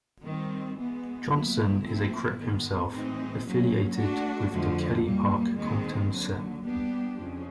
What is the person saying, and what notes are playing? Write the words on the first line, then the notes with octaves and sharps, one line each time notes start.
Johnson is a Crip himself, affiliated with the Kelly Park Compton set.
D#3 G3 C4
E3 G#3 B3
A#2 F#3 B3 E4
A#2 F3 A3 C4 E4
G#2 D#3 G#3 B3
A2 E3 G#3 C4 D#4
A#2 F#3 A#3 C#4
A3 D4 F#4
F2 D3 F3 A3
A#2 G3 A#3
D#2 D#3 G#3 C4
D#2 D3 F#3
G3 B3 D4 G4
F2 C#3 F3